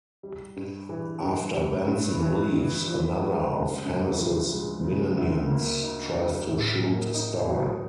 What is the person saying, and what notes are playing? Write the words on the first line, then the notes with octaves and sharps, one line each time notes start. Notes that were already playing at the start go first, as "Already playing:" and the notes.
After Benson leaves, another of Hennes' minions tries to shoot Starr.
G3
G2
E3
G2
G3
G2
E3
G2
F3
G#3
C#3
D2
F3
G#3
C#3
D2
A#3
D#4
F#3
A2
A#3
D#4
F#3